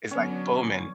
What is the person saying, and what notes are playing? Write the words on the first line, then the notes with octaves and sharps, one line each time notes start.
It's like booming.
D3 F#3 B3 C#4